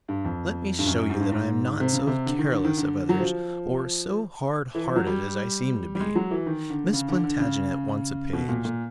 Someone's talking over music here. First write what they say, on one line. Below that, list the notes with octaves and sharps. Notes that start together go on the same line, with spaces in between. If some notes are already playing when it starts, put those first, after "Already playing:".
Let me show you that I am not so careless of others or so hard-hearted as I seem to be. Miss Plantagenet wants a page.
G2
F2
G2
F#2
G#2
G2
G#2
C3
C#3
C3
D3
D#3
D3
D#3
D3
F#3
F3
E3
F3
F#3
G3
G3
G#3
F#3
E3
D#3
D3
C#3
D3
D3
C#3
B2
A#2
A#2